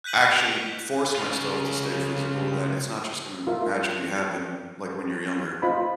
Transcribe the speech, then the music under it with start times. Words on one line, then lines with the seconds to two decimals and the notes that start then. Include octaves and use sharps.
actually force myself to stay physical, that it's not just gonna magically happen like when you're younger.
0.04 F#6 G6 B6 D#7 F#7
1.15 C#3 F4
3.47 F4 A#4 E5
5.62 F4 C5 D#5 B5